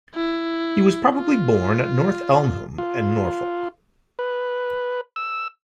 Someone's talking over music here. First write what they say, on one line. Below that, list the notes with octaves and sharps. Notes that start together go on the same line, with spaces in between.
He was probably born at North Elmham in Norfolk.
E4
F4
F4
B4
E6